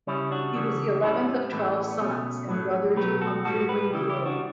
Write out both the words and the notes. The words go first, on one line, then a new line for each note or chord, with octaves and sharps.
He was the eleventh of twelve sons; and brother to Humphrey Wingfield.
C#3 G3 C#4 E4
D4 F#4
C#3 E3 G3
A2 G3 C#4 E4
C#4
A2 E3 A3
B3
B2 A3 C#4
A2 F#3 A3
B2 F#3 A3 G4 B4
F#4 A4
A2 G3 F#4 A4
G4 B4
C#3 E3 G3 E4 G4
E4 G4
D4 F#4